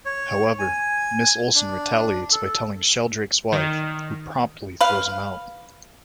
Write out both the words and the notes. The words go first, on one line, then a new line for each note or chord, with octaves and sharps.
However, Miss Olsen retaliates by telling Sheldrake's wife, who promptly throws him out.
C#5
G#5
D4
A4
D#3
B4 F5